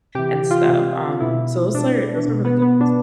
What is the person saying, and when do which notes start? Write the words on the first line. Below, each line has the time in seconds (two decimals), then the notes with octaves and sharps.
and stuff. Um, so those are those are really good ones.
0.15 C3 E3 G4
0.32 G4
0.51 F4
0.68 C3 E3
1.20 B2 E4
1.74 B2 D4
2.28 B2
2.45 B3
2.62 B3
2.80 B2 D4